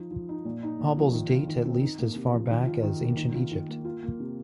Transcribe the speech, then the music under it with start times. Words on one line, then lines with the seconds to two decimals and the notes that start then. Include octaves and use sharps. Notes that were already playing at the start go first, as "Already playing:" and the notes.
Hobbles date at least as far back as Ancient Egypt.
Already playing: F3 D#4
0.11 F3
0.29 D#4
0.45 A#2
0.63 D#4
0.79 A#2
0.97 F3
1.13 D#3
1.31 F4
1.47 D#3
1.65 C4
1.81 D#4
1.99 A#3
2.16 C3
2.33 F3
2.50 D#3
2.66 F4
2.83 D#3
3.00 A#3
3.17 D#3
3.35 F4
3.51 D#3
3.68 A#3
3.85 F4
4.03 A#3
4.20 C3